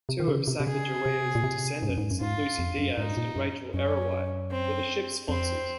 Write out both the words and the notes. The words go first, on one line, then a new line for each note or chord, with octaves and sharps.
Two of Sacagawea's descendants, Lucy Diaz and Rachel Ariwite, were the ship's sponsors.
C3
D#3
C#3
C3
C3
C#3 G#4
C3
A#2
C3
G#2
F#2
G#2
F#2
G#2 F4
F2
F#2
G#2 D#4
A#2
F#2
F#2 C#4
C4
F2 C4